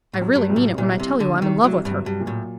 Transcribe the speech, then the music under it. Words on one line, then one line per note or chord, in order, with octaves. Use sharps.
"I really mean it when I tell you I'm in love with her."
A2
F#3
G2
C2
A2
C2 A#2
C3
C2
D3
C2
D#3
C2 F#3
G2
F#3
G2
A#2
A2